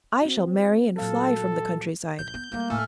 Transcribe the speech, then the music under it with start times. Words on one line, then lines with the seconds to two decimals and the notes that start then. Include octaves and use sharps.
I shall marry and fly from the country-side.
0.22 C4 F#4
0.98 A#2 F#3 A4 F5
2.19 A#1 G6
2.34 B3
2.52 G3 A3 A#3
2.70 A2 A3 E4 G#5 E6 F6